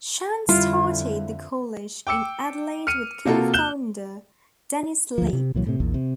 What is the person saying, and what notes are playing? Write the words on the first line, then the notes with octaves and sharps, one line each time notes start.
Chant started the college in Adelaide with co-founder Dennis Slape.
F2 D3 G3 E4 F4
G5 D6 E6 C#7
F6 C#7 D#7
C3 A#3 F4 F#4 A4
F#6 G6 E7 G7
D2 F3
C3
C2 A#2 E3 F#3
A2 C3
A#1 E2 A#2
C3